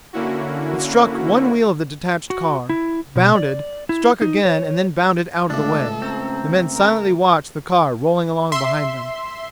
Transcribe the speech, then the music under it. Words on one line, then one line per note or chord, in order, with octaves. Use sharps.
It struck one wheel of the detached car, bounded, struck again and then bounded out of the way. The men silently watched the car rolling along behind them.
D3 A#3 C#4 E4 F#4
F#4
E4
B2
D5
E4
D#4
C#5
C#2 A2 D4 A4 D5
C4 C#4 A#5
A#4
E5 C6